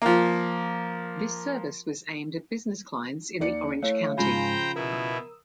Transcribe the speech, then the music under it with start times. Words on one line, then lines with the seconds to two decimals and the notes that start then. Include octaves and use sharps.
This service was aimed at business clients in the Orange County.
0.02 F3 A#3
3.40 D#2 D5 C#7
3.83 A3 E4 C#5 E5 F5
4.18 G#2 C#3 F3 C5 G5 G#5 A#5 B5
4.76 B2 E4 A#4 D#6 E6